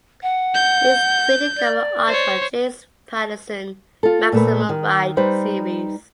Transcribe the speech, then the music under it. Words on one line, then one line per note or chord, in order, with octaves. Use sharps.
Meeks created cover art for James Patterson’s "Maximum Ride" series.
F#5
G6
D5
C5 C#5
F4 A4
A#2 A3 B4
D#3
G3 D#4 B4 C5